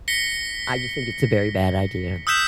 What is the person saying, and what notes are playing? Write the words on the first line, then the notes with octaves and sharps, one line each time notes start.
I just think it's a very bad idea.
A#6 B6 C#7 G7
D#6 E6 F#6 G6 B6 E7